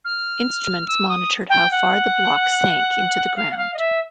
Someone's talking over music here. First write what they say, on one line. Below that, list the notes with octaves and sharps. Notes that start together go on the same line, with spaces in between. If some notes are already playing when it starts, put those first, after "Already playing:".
Instruments monitored how far the block sank into the ground.
F6
E6
D#6
G5
F#5
F5
F#5
F5
D#5
E5